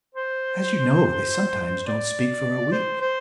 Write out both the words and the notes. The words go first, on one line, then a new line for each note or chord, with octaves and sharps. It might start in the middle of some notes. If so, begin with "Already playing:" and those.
As you know, they sometimes don't speak for a week.
C5
D5
C5
C5